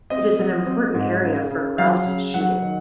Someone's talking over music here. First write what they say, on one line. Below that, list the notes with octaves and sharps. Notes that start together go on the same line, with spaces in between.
It is an important area for grouse shooting.
C4 D#5
F#3
C4
G#2
C#3
C#3
F#3 F5
C#3
F#3 F#5
D#3